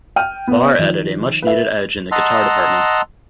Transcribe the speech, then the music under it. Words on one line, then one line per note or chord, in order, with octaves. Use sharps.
Barr added a much needed edge in the guitar department.
G5 F6 D#7
B3 D5
D#3 F3
B4 E5
D#5 F#5 A5 A#5 C6 E6